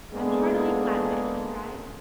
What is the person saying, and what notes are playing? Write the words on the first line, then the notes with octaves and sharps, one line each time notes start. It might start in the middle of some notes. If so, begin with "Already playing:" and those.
"I am heartily glad of it," he cried.
G#3 A#3 B3 D4 G#4 A4